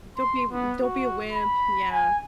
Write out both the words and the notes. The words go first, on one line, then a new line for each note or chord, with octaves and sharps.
Don't be m don't be a wimp, yeah.
C6
B3
F#4
B5
G#5